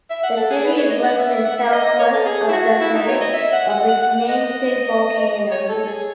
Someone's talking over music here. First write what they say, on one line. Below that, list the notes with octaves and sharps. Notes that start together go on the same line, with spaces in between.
The city is less than southwest of the summit of its namesake volcano.
E5
F#5
A4
G#4
B4
C#5
D#5
F#5
E5
E5
F#5
E5
D#5
D#5
C#5
A4
G#4
E4
F#4
E4
D#4
C#5
D#5
E5
F#5
F#5
F#5
F#5
F#5
D#5
C#5
A4
G#4